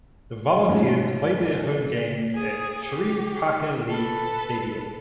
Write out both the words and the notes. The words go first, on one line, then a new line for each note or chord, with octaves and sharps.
The Volunteers play their home games at Sherri Parker Lee Stadium.
G#2 F3 A3 C#4
G#4 G#5
G4
A4 B4